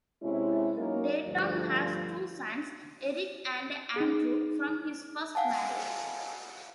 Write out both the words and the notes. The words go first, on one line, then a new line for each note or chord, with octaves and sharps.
Dayton has two sons, Eric and Andrew, from his first marriage.
C3 G#3 C#4 E4
F#3 A#3 C#4 D#4 A#4
D2 G2 F3
D#4 G#4
F5 F#5 G#5 A5